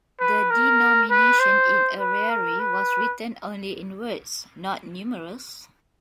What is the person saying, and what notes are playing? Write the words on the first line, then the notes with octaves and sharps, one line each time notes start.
The denomination in ariary was written only in words, not numerals.
B4
A#4
B4
C5
B4
A#4
B4